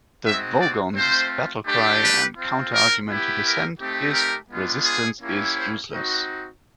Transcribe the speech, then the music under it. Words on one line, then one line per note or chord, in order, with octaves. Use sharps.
The Vogons' battle-cry, and counter-argument to dissent, is resistance is useless!
G#3 C4 D#4 F#4 E5
D5
A3 C4 F4 C5
A3 D4 G4
B4
C4 F4
A#4
B3 E4 G4
A#4
A3 C4 D#4 G4
A#4
G#3 B3 D4 F4
G#4
A#3 C#4 E4 G4
C5
C4 D#4 F#4